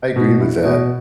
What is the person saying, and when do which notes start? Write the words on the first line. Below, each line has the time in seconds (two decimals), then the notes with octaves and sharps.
I agree with that.
0.16 B2
0.40 E4
0.64 B2